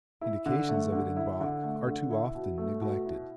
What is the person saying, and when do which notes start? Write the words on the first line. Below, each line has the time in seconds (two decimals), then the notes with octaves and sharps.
Indications of it in Bach are too often neglected.
0.21 E4
0.46 D3
0.69 A3
0.92 D3
1.16 E4
1.40 D3
1.63 A3
1.87 D3
2.11 E4
2.35 B2
2.58 A3
2.81 B2
3.06 E4